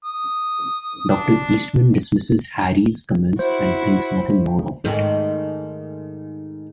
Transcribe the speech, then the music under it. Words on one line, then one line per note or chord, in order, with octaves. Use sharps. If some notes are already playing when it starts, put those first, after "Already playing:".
Doctor Eastmann dismisses Harry's comments and thinks nothing more of it.
D#6
D4
E4 F#4 C5
G#2 D#3 A3